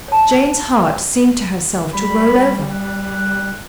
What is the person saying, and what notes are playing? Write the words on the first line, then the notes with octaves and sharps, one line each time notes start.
Jane's heart seemed to herself to roll over.
C#5 A5
G3 B5
F#6